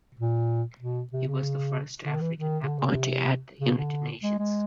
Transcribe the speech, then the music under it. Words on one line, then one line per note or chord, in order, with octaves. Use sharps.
He was the first African appointee at the United Nations.
A#2
B2
C3
C#3
D3
D#3
E3
D#3
C#3
D3
C#3
C3
C#3
D3
G#3
G#3